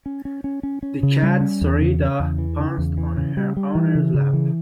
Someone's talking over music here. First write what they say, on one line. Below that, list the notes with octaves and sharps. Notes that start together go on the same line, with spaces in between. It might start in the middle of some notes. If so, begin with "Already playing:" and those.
The cat Sarita pounced on her owner's lap.
C#4
C#4
C#4
C#4
C#4
C#3
G3
C#4
E2
C#3
C#3
E2
E3
C#3
E2
E3
C#3
G3
G3
E3
C#3
C#3
E3